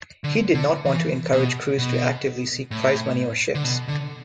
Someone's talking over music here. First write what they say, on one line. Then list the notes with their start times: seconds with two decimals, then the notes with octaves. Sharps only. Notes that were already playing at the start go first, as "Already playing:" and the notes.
He did not want to encourage crews to actively seek prize money or ships.
0.24 D3
0.54 D3
0.85 E3
1.32 B2
1.78 B2
2.71 A2
3.55 D3
3.64 B2
3.88 D3